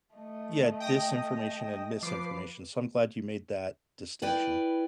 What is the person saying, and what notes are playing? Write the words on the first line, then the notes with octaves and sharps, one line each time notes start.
yeah, disinformation and misinformation, so I'm glad you made that distinction.
A3 D#5
G5 D#6 A#6
F3 B4 D6 C7
E4 B4 D5 G5